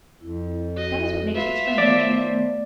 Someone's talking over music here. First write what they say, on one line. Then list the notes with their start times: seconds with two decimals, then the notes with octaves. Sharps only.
That is what makes it strange.
0.21 F2 E4
0.77 F#4 D#5
1.35 F4 B4 E5
1.78 D#3 A3 B3 C5 D5